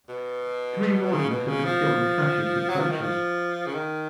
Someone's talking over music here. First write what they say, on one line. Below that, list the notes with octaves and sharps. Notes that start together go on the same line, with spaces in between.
Three wardens have been killed in clashes with poachers.
B2
C#3
B2
C#3
F3
F#3
F3
D#3
F3
C#3
D#3